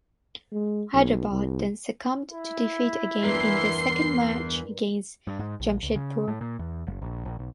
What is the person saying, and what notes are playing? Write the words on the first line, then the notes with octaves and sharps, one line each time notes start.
Hyderabad then succumbed to defeat again in their second match against Jamshedpur.
G#3
B1
C2
E4
E2 G2 E3 A#4 C6 C7
G2
G#2
A#1
C#2
C#3
A2
A#2
E2
F#1
A#1
A#1
B1